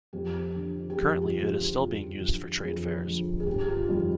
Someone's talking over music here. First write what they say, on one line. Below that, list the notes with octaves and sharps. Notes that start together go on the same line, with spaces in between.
Currently it is still being used for trade fairs.
F2 G4
D3 F3
G4
F2 G#4
F4
D3 F3 F4
F4
F2
D3 F3
F2 G#4
D3 F3
G#4
G1 G4
F4
F2 D#3 G3 D#4